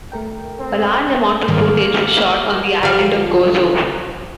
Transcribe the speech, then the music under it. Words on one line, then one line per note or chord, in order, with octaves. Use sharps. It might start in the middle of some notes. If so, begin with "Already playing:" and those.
A large amount of footage was shot on the island of Gozo.
A3 A#4 G5
C4
G#2 D#3 G3 A#3
D3 F3 G3 F5